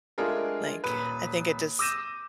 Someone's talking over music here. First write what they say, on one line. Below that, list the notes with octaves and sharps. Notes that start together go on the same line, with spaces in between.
Like, I think it just
G#3 A3 D4 F4 G#4 A#4
D#1 B4
D6 E6 G6 A#6 D#7 E7